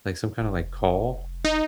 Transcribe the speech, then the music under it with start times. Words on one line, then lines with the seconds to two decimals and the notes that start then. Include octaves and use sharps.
like some kinda, like, call,
0.41 F1
1.45 D#4